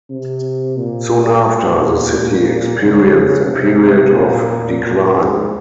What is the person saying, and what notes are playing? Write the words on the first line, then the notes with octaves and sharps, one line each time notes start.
Soon after, the city experienced a period of decline.
C3
A#2
A#2
C#3
C3
C3
A#2
A#2
G#2